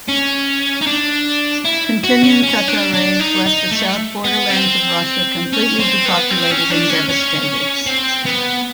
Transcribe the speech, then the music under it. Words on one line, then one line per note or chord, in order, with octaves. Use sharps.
Continuing Tatar raids left the south borderlands of Russia completely depopulated and devastated.
C#4
D#4
D4
E4
F#4
C#4
C#4
D4
D4
D#4
D#4
A3
B3
C4
C#4
C4
B3
C4
C#4
D4
C#4
C#4
C4
B3